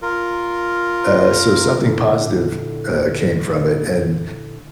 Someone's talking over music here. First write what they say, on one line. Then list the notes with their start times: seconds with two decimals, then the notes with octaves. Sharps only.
uh, so, something positive, uh, came from it, and
0.02 F4 A#4
1.86 A#2 D3 D4 E4 A4